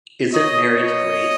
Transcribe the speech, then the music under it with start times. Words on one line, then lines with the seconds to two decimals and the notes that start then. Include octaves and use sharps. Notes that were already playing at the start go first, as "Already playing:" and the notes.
Isn't marriage great?
0.32 C#5 D#5
0.76 B2 F#3 C#5 D#5